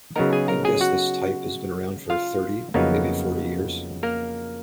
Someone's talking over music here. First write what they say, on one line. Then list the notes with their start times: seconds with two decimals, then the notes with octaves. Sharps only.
I'd guess this type has been around for thirty - maybe forty - years.
0.16 C#3 F#3 B3 D#4 A#4 A#5
0.33 G#4 G#5
0.48 A#4 A#5
0.65 G#4 G#5
0.81 F#4 F#5
2.10 F4 F5
2.74 F2 C#3 F#3 A#3 B3 D#4 A#4
4.03 A#3 A#4